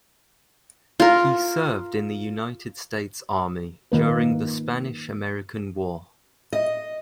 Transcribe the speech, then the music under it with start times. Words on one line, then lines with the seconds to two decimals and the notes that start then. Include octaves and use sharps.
He served in the United States Army during the Spanish-American War.
1.00 F4 A#4
3.92 D#3 A#3 B4
6.53 D#5